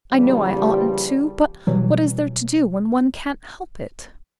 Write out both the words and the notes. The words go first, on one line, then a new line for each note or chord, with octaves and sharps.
I know I oughtn't to, but what is there to do when one can't help it?
A#1 E2 C#3 F3 G3
B2 E3 F#3 G3